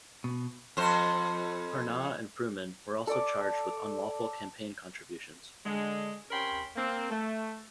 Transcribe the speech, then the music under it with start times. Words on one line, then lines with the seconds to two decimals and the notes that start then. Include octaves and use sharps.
Parnas and Fruman were also charged with unlawful campaign contributions.
0.24 B2
0.77 F2 C5
3.07 A4 D5 D6
5.65 D3 G#3
6.31 C3 C#4 A#4 G5 B5 C6
6.76 A#3 C4
7.09 A3